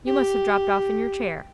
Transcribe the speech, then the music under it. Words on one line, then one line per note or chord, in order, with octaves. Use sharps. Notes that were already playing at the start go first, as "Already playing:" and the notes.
You must have dropped off in your chair.'
G4